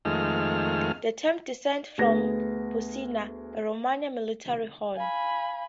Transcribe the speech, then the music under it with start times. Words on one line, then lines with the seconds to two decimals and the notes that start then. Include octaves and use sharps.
The term descends from "Buccina", a Roman military horn.
0.05 F2 D#3 G#3 A3 F6
1.98 D2 B3 G#4 A#6
4.96 F5 G#5 B5